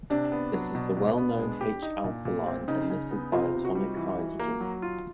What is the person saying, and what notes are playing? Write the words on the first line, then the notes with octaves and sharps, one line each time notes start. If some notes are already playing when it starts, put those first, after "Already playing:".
This is the well-known H-alpha line emitted by atomic hydrogen.
C3 D4
B3
F#3
B2
B2
B3
G#3
G4
D#4
A#2
A#2
C4
C#3 D#4
C#3
B3
C3 F4
C3
F#4
G3
E3
E3
A#3
F#3
F4